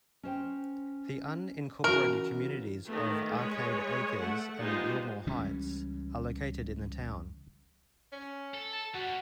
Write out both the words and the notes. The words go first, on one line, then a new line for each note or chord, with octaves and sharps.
The unincorporated communities of Arcade Acres and Wilmoore Heights are located in the town.
C#4 C5 G5
C#3 E3 F#4 A#4
D#3 A3 B3
G#3 B4 C#5
A3 F#5
G3 G#3 B3 D#4 F4 C5
C#2 E3 G3 C#4
C#4
A4
A5
G3 C#4 F#4